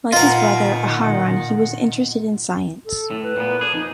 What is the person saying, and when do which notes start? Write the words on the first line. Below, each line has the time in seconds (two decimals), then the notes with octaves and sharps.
Like his brother, Aharon, he was interested in science.
0.13 A#2 D#3 F4 A#4 D#5 F#5
2.86 A4
3.11 A2
3.23 B4
3.37 A#2 B3
3.61 D4 G#4
3.73 F2 D#4